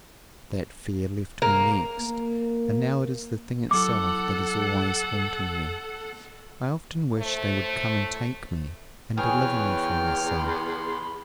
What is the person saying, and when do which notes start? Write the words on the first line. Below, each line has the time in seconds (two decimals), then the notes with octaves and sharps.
That fear left me next, and now it is the thing itself that is always haunting me. I often wish they would come and take me, and deliver me from myself.
1.42 A#3
1.99 A#3
3.71 F#3 E4 A4 F#5 D6
7.19 A2 A3 C5
9.17 E2 G#4 B4 C#5 G5 F6
10.37 B5 C6